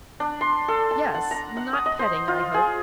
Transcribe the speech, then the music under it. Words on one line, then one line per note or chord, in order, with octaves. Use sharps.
Yes; not petting, I hope.
D4
C6
A4
A5
F#5
A#5
F#5
D#6
D#5
C5
F4
G#4